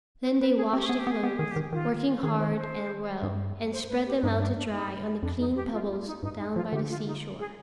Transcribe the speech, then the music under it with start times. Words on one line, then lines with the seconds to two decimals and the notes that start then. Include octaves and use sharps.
Then they washed the clothes, working hard and well, and spread them out to dry on the clean pebbles down by the seashore.
0.23 C5
0.40 B4
0.56 G#4
0.73 C4 G4
0.86 B3 G#4
0.99 G4
1.07 B3
1.11 G#4
1.23 B3 G4
1.38 D#3 G#4
1.51 G4
1.56 D#3
1.73 D#3 F4
2.22 D#3 G#4
2.39 C5
2.56 C5
3.23 G2
3.73 C5
3.89 B4
4.06 G4
4.22 G2 D#4
4.40 D4
4.57 D4
4.72 D#4
5.23 F2 D4
5.39 D#4
5.55 G4
5.73 F4
5.89 F4
6.07 D#4
6.23 G2 D#4
6.39 D#4
6.56 F3 F4
6.73 D3 G4
6.90 F4
7.06 D#4
7.39 G#4